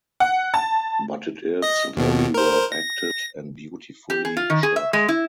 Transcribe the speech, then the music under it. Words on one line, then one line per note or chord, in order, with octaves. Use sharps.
But it is very well acted and beautifully shot.
F#5
A5
D#5 A#6
D#2 B2
A#4 C5
A#6
G4
G#4
F4
D#3
G#4
E5
G#3
E4